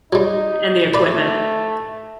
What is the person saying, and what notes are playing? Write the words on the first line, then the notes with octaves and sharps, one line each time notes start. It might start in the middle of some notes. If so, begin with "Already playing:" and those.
And the equipment.
F#3 G3 D#4
A3 B4 D5